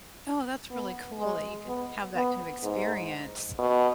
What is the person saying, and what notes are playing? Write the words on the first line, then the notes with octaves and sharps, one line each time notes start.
Oh, that's really cool that you could have that kind of experience.
B3
G#3
B3
B3
G#2
B2